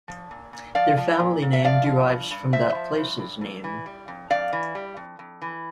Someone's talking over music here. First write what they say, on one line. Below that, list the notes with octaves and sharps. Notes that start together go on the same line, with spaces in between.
Their family name derives from that place's name.
F3
A#2
A#2
F3 D5 F5
F3
A#2
A#2
E5
F3 D5 F5
F3
G2
G2
F3 C5 E5
F3
G2
G2
F2
E3
G3
F2
F2 D5 F5
E3
G3
F2
F2
E3